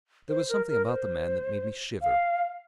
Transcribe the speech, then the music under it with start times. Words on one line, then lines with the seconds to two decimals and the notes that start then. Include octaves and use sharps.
There was something about the man that made me shiver.
0.29 C5
0.49 A#4
0.69 A#4
0.87 C5
2.02 F5